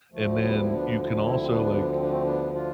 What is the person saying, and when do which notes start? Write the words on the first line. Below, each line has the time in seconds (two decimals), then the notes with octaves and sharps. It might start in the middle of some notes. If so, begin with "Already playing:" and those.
and then you can also, like,
0.12 D2 D3 F3 A3
0.43 G3 B3
0.62 E4
0.73 B3 D4
1.04 E4
1.13 D4
1.24 C4 E4
1.41 C4
1.49 B3 D4
1.94 C4
2.02 D4
2.08 A3 C4
2.25 B3 D4
2.54 D4 F4